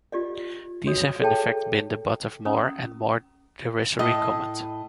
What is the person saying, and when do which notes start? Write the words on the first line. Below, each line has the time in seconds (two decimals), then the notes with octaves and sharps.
These have in fact been the butt of more and more derisory comment.
0.12 F4 G4 D5 D#5
0.87 F#4 C#5 D#5 D#6
1.21 G#4 A4 C#5 E5 G5 A5
2.45 C#4 A#5 D#6 E6
3.99 A2 D#5